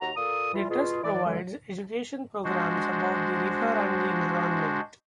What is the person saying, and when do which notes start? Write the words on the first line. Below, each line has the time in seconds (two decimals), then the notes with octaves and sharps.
The Trust provides education programs about the river and the environment.
0.02 D#2 F#4 A#4 A#5
0.17 A#2 A#3 A4 D#6
0.54 E3 G3 F4
0.69 B2 F4 G#4
1.03 E3 D5
1.25 F#2 A2 D3 F#3 G#3
2.44 G#3 D4 F#4 C5